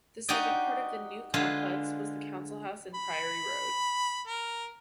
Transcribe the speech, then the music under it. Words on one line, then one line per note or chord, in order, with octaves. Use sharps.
The second part of the new complex was the council house in Priory Road.
D#4 F#4 G4 D5 D#5
D3 G#3 F4 B4
B5
A#4